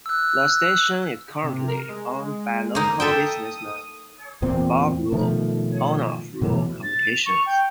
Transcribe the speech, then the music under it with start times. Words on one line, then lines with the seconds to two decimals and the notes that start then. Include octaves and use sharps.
The station is currently owned by local businessman Bob Rule, owner of Rule Communications.
0.06 E6 F#6
1.43 C3
1.68 A#4
1.89 G#3
2.75 A#3 D#4
3.00 A4 E5 G5 D#6
4.42 E2 A#2 C4
5.12 B2 D#3 F3 A3
6.42 B2 E3 F#3 A3
6.83 A6
7.12 F7
7.26 C#6
7.46 G5